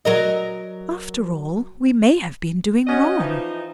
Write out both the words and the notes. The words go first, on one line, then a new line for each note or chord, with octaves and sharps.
'After all, we may have been doing wrong.
F#3 A#4 D#5
C#4 F#4 D#5
E3 F3 D#4